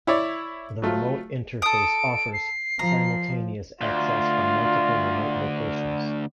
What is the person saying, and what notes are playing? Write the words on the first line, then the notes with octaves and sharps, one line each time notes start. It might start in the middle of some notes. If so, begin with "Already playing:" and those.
The remote interface offers simultaneous access from multiple remote locations.
E4 C#5 D5
F#3 A3 F4
A4 D#6 D7
C7
F3 A#5
D2 F4